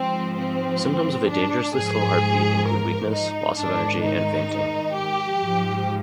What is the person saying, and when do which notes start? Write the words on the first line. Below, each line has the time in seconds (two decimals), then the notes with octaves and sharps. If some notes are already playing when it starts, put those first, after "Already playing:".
Symptoms of a dangerously slow heartbeat include weakness, loss of energy and fainting.
Already playing: G#2 F3 C4
0.36 C4
1.27 D4
1.73 G#2 F3 G#4
2.65 A#4
3.10 D#4
3.56 G#2 D#3 D4
4.02 D#4
4.94 G4
5.40 G#2 F3